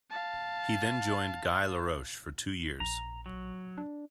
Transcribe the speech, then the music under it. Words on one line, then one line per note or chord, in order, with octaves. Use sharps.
He then joined Guy Laroche for two years.
F5 A5
A#1 A#5
F#3
D4